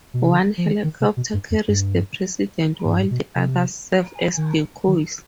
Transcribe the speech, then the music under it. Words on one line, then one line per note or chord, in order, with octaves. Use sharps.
One helicopter carries the President, while the others serve as decoys.
B2
C3
D3
F3
D#3
D#3
C3
B2
G2
F2
G2
G#2
G2
G#2
B2
C3
D#3
D#3